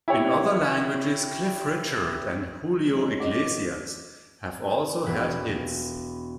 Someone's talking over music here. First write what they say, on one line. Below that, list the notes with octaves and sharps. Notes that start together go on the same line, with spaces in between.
In other languages, Cliff Richard and Julio Iglesias have also had hits.
E4 G4 C#5
G#3 C#4
D#5 D6
E1 B4